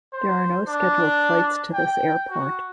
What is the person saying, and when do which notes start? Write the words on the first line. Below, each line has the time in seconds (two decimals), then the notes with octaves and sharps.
There are no scheduled flights to this airport.
0.13 C5
0.68 D4
1.74 G5
2.30 F#4